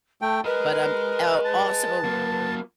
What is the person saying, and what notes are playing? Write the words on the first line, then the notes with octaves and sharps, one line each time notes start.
But um, el also,
A3 G5 A5
G#4 A#4 B4 D#5
A5
F#3 A#3